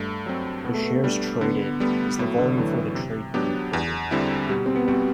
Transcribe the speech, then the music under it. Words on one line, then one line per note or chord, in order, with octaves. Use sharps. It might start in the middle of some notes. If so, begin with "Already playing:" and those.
The shares traded is the volume for the trade being quoted.
Already playing: G2 A3
F#3 C4
B2 B3
A3
B3
G3 D4
D3 B3
B3
G3 A3 B3
A2 F#3
D3
E3 F#3 A3
C3
F#3 B3 D4 G4
E2
D3 G3 C4 E4
B2 G3
C4
B3
G3 C4 F#4